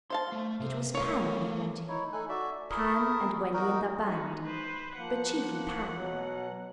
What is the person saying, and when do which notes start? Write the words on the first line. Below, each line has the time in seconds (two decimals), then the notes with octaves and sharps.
It was Pan he wanted, Pan and Wendy and their band, but chiefly Pan.
0.10 C5 F5 A5 C6
0.32 A3
0.60 C3
0.95 A3 F4 A#4 C#5
1.89 D#4 E4 C#5
2.13 A3 D#4 A4 G#5 F#6
2.29 F#4 D5 E5
2.70 E4 G#4 A#4
3.53 D#4 F#4 A#4
4.07 D#4 F#4
4.44 B4 C5
4.96 F3 A#3 F#5
5.96 B2 F#3